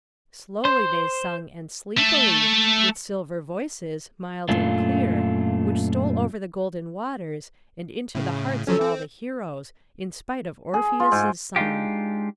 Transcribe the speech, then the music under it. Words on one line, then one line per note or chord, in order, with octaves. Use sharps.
Slowly they sung and sleepily, with silver voices, mild and clear, which stole over the golden waters, and into the hearts of all the heroes, in spite of Orpheus's song.
C5 C6
A3 A4
F#2 A#2 A3 D4 F4
A2 C#3
F3 F#3 C#4 A4
C4
G#4
F4
G#2
G#3 D4 D#4 F4 G4